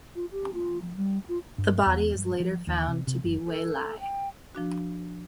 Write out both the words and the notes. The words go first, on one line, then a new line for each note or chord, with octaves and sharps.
The body is later found to be Wei Lai.
F4
G4
F4
F3
G3
F4
G2
E2
G2
F3
D#2
C3
C3
F#1
A4
G5
F3 D4 F#4